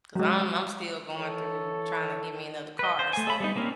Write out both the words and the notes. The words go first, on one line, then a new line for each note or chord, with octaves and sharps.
'Cause I'm I'm still going through tryna to get me another car. So,
F#3 G#3
E3 A4 C#5
B4 D#5
C5
A3 G#5
A4 B5
G3 B3 D#4
G3 A#3 C4 C#4